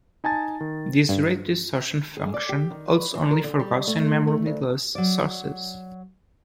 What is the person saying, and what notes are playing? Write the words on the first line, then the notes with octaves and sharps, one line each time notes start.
This rate-distortion function holds only for Gaussian memoryless sources.
D#4 G#5 A5 A6
D#3
G2
G#4
D5
G4
D#3
B4
E3
A#4
D3
G3
A3
A3
D2
F#3 D5